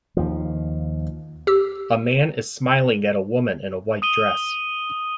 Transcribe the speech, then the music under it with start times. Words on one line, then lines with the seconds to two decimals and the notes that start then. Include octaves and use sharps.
A man is smiling at a woman in a white dress.
0.17 D#2 F3
1.47 G4 E6
4.02 D#6 D#7 G7